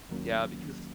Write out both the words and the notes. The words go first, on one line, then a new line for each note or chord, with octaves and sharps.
Yeah, because
D#2 D#3 F#3 A#3 C#4